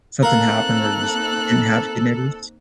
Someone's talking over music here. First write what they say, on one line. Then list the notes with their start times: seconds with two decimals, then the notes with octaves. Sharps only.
something happen where you just didn't have good neighbors?
0.23 A#3 C4 D#4 A4 A#4 F5 F#6